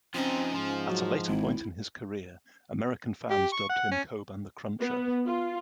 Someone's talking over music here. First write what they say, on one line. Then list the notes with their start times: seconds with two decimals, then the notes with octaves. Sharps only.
At a later point in his career, American fans dubbed him Coban The Cruncher.
0.14 F3 C4 C#4 D#4
0.55 G#2 F3
0.89 F#3
1.28 G#1 E4
3.31 G4
3.53 C#6
3.69 F#5
3.91 C#4
4.80 B3
5.26 F4